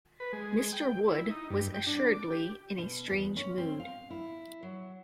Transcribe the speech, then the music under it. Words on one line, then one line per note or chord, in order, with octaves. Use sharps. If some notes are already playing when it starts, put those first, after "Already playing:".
Mr. Wood was assuredly in a strange mood.
B4
G#3
G5
E4
D#4
G2
G5
D4
D6
G4
B2
E2
C#4
C4
F5
E4
F#3